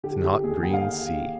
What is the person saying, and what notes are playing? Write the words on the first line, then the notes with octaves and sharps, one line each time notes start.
The snotgreen sea.
D3 G4
G4
D#2 G#4
G5
F5